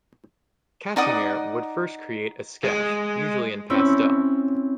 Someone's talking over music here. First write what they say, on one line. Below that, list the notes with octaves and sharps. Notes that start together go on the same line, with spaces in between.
Kasimir would first create a sketch-usually in pastel.
D#4 D5 F#5 D#6
G#3
C4 C#4 E4 C#5